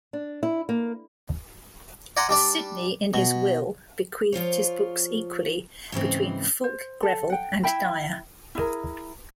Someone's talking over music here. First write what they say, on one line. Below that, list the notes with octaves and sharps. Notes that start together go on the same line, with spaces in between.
Sidney, in his will, bequeathed his books equally between Fulke Greville and Dyer.
D4
E4
A#3
D5 F#5 G#5 A#5 C6
G3 D4 D5
B2
F3 F4 C5 C#5
G#2 C#3 E3 C4
C5
A4
F#5 G5
E4 E5 G5 B5
E4 G#4 A#4